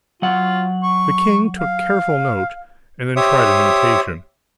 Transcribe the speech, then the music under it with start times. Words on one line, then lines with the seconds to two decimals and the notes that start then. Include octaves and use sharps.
The king took careful note, and then tried an imitation.
0.22 F#3 F4 F#5
0.83 C#6
1.60 F5
3.16 G4 C5 C#5 E5 D#6